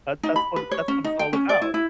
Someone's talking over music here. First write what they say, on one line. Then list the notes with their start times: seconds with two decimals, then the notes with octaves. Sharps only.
That that's how that's what it's all about
0.23 D#4
0.36 B5
0.56 B4
0.71 C#5
0.88 C#4
1.04 D#4
1.19 G5
1.33 C#4
1.49 D5
1.62 E4
1.74 E4